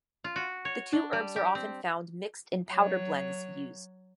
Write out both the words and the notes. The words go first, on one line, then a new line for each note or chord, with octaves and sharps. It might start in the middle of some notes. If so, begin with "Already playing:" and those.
The two herbs are often found mixed in powder blends used.
F4
F#4
C#5
D4
G3
G4
C4
F#3 C#5